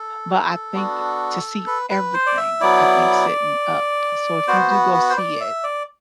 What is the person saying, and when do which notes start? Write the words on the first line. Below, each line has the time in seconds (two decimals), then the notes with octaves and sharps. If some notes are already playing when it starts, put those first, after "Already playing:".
but I think to see everything I think sitting up So if you do go see it
Already playing: A4
0.73 B3 D4 F#4
1.67 B4
1.90 B4
2.14 C5
2.26 D5
2.37 E5
2.60 F#3 B3 E4 D5
4.48 B3 F#4 C5
4.71 B4
4.94 B4
5.10 C5
5.17 D5
5.40 E5
5.64 D5